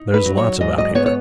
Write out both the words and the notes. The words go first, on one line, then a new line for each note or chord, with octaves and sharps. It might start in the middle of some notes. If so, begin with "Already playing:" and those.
'There's lots about here.'
Already playing: D#4
B4
F#3
C#5
G#2 D#5
D#5
B3 C#5
C#5